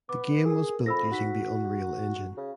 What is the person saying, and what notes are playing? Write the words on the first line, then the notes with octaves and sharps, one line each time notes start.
The game was built using the Unreal Engine.
B3 D6
G#4 A#4
F2 B5 E6 A#6
D#4 F#4 B6
C#3